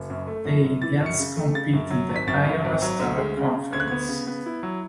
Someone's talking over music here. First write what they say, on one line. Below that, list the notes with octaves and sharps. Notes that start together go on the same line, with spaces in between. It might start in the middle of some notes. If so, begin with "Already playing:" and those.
The Indians compete in the Iowa Star Conference.
Already playing: F#1
F#2
A3
F#2
F#2
E3 A6
F#2
C#7
C#3
A3
C#3 A6
F#2
F#3
G#1
B6
F#2 A6
F#2
G#1
F#3
D2
G#3
C#3
C#3
D2 G#6
F#6
G#6
B3
C#3
B3
E4
F#3